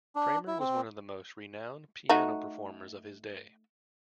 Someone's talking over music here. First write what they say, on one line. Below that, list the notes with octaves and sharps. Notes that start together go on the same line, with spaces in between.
Cramer was one of the most renowned piano performers of his day.
D4
E4
C4
A3 D#4 F#4